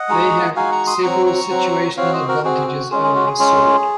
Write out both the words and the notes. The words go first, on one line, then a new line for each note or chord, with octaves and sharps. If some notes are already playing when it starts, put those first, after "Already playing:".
They have several situational advantages over a sword.
Already playing: D#5 F#5
G#3 D#4 F#4
G#3 D#4 F#4 F5 G#5
A#5 C#6
C6 D#6
F#3 C4 F#4 A#5 C#6
A#5 C#6
F#3 C4 F#4
C4 F#4 C#5 F5
C5 D#5
F#4 A#4
C4 F#4 G#4
F#4
G#3 C#4 F4 G#4
G#4
F#4
G#4
G#3 C#4 F4